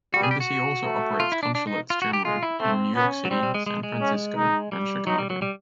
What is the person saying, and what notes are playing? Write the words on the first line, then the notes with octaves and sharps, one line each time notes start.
The embassy also operates Consulates-General in New York City, San Francisco, and Chicago.
G3 F#4
G#4
G4
F#4
A3
F4
E4
D4
D4
D#4
F4
F#4
G4
G#3 F4
E4
A3 C4
B3 C#4
F#3
G3 C4
G3
G#3
G#3
G#3
C#4
D#4
G3
F#3 D#4
G3
F#3
G3